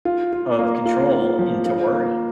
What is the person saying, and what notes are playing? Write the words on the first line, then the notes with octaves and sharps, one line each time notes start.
of control into worry?
F4
F4
A#3
F4
F4
F3
F4
A#3